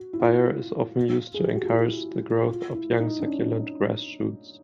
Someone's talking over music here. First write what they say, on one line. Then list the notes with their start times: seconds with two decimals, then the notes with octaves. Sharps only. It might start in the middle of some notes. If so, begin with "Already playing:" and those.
Fire is often used to encourage the growth of young succulent grass shoots.
Already playing: F#4
0.13 E4
0.20 F4
1.34 G#4
1.44 G4
1.53 F#4
1.63 F4
1.72 E4
2.49 F4
2.74 E4
3.00 D#4
3.20 D4
3.25 C#4